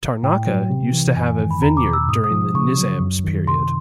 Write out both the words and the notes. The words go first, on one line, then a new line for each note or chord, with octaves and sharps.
Tarnaka used to have a vineyard during the Nizams period.
A2 G5
F#3
C3
E3
F#2 G#5
D#3
B5
E2 A#5
D6
B2
E6
G#2 D#6
D#6
F3
C#3 C#6
F#3
F#2
D#3
C3 C6